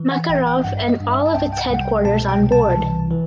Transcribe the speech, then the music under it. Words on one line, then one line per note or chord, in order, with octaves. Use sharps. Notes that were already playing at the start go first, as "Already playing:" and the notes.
Makarov and all of its headquarters on board.
Already playing: E3
F#5
A1 G5
G5
G2 F#5
E5
D#5
G2
E5
A5
C2 G5
G5
F#5
C2 F#5
G5
B2 A5
G5
C2
A5
E3
E3